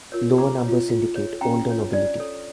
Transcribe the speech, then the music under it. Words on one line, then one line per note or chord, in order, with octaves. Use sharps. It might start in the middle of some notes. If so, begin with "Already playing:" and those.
Lower numbers indicate older nobility.
F4 A#4 C#5
D4 A#5 D6
F4 C#5
F4
C#5
C#4 G5 A#5
F4 C#5
D4 D5
A4 C#5